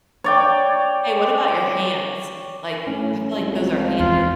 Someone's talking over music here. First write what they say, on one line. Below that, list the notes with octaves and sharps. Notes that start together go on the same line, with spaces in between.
Hey, what about your hands, like, I feel like those are hand you're
C#5 D5 G5
A2 C#4
C2 F3 G#3
E2 F4